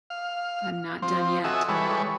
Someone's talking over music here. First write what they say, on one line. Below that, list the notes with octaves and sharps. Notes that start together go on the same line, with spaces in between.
I'm not done yet.
F5
F3 C4
F#4 A4 D#5 E5 G#5
E3 G3 G#3 A4 B4 C#5